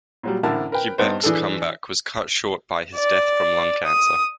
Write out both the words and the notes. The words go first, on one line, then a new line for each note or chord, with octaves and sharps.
Quebec's comeback was cut short by his death from lung cancer.
A#2 F#3 G3
A1 D3 E4 A#4 A5
A#4 B4 G5
G2 B3 D#4 C5
E3 D4 G#4 A4
D5
D#6